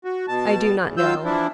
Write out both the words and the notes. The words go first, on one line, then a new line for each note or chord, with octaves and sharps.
"I do not know."
F#4
B2 A5
E2
F#3 F4 E6 G6
E3 F3 D4 E4